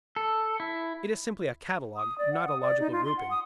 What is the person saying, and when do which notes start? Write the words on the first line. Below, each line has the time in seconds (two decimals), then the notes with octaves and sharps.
It is simply a catalogue, not a logical grouping.
0.16 A4
0.60 E4
1.96 D#6
2.18 D5
2.33 F#5
2.48 D#6
2.61 D5
2.80 D#4
2.92 F4
3.04 C6
3.17 F#5
3.31 D#6